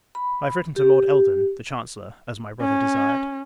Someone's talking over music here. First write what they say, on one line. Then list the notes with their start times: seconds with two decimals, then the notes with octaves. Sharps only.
I have written to Lord Eldon, the Chancellor, as my brother desired.
0.15 B5
0.76 G4
2.61 C#4